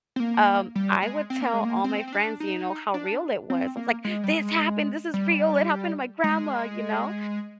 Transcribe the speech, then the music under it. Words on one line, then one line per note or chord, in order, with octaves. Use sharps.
um, I would tell all my friends, you know, how real it was, I was, like, "This happened! This is real, it happened to my grandma," you know?
C4
A#3
G3
G#3
C4
A#3
G#3
A#3
C4
C4
D4
D#4
D4
C4
A#3
G#3
G3
G#3
G3
G#3